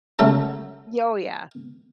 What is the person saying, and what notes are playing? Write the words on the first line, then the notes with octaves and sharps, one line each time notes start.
Y oh, yeah.
C#3 F#3 A3 A4 A5